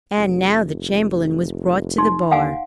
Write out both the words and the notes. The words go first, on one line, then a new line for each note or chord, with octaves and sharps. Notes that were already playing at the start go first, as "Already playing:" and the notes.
And now the Chamberlain was brought to the bar.
F1
D#4 C6
D#2 F5 F#5 G#5